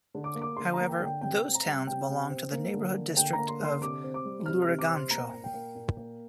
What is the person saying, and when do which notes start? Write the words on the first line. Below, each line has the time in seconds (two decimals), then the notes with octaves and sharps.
However those towns belong to the neighboring district of Lurigancho.
0.14 D3
0.24 D6
0.35 A#3
0.42 D6
0.57 D3 C6
0.73 A#5
0.79 A#3
0.89 G5
1.00 D3
1.05 G5
1.21 C3 G5
1.43 C4
1.55 A#5
1.66 G3
1.87 C3 G5
2.09 C3
2.30 C4
2.52 A#3
2.74 D3
2.95 A#3
3.17 D3 G5
3.33 A#5
3.38 A#3
3.48 C6
3.60 D3 C6
3.81 C3 D6
4.04 C4
4.14 D6
4.25 G3
4.46 C3 F6
4.62 F6
4.67 C3
4.79 D6
4.90 C4 C6
5.11 A#3 A#5
5.33 A#2
5.44 G5
5.54 A#3
5.75 A#2
5.97 A#3